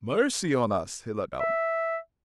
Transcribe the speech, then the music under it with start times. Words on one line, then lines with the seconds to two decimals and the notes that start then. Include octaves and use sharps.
"Mercy on us!" he let out.
1.40 E5